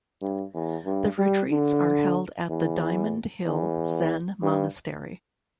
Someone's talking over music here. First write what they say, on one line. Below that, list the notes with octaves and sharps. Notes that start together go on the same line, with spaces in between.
The retreats are held at the Diamond Hill Zen Monastery.
G2
E2
G2
G3
D3
E2
E2
G2